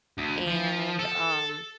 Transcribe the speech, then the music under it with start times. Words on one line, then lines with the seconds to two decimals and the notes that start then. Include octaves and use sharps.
and, um,
0.18 D2
0.47 F3
0.99 A4